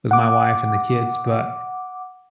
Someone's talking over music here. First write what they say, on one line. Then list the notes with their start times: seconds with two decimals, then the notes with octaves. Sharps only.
with my wife and the kids. But
0.11 F#5 D6